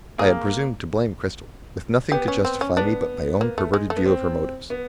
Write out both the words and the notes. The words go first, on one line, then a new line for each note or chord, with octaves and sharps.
I had presumed to blame Cristel, with nothing to justify me but my own perverted view of her motives.
A#3 G#4
B3 G4
C#4
C4
C#4
B3 D4
A#3
A3
G#3
A3
B3
C4
B3